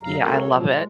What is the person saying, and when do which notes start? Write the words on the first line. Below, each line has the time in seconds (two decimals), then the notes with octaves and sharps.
Yeah, I love it.
0.03 F#2 C#3 F#3 F5 A#5
0.22 G#3 A#3 C#4 F#4 A4 A#4
0.37 C#5
0.53 A#2 F3 F#3
0.71 G#3